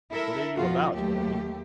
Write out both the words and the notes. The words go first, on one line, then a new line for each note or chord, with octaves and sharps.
"What are you about, Harry?"
E4 A4 A#4 E5
F2 B2 F4 F#4
D#2 F#3 A3 G4